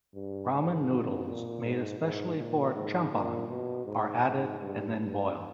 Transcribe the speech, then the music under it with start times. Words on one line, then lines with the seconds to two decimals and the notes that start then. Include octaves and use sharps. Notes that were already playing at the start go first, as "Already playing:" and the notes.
Ramen noodles made especially for "champon" are added and then boiled.
0.15 G2
0.52 G#2
1.26 A#2
1.63 G#2
2.00 G#2
2.37 A#2
2.74 G#2
3.12 A#2
3.49 B2
3.86 G#2
4.23 G#2
4.60 G2
4.97 G2